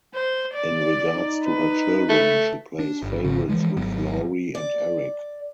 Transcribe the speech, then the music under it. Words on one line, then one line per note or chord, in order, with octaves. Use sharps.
In regards to her children, she plays favorites with Laurie and Eric.
C5
D5
D#4
B4
A3
D4
G1
G#1 C#3
E3 F3 G#3
G#1 F#3 B3
D5